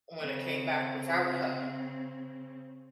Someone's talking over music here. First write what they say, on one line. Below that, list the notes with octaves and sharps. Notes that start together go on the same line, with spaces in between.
when I came back without her,
C#3 C4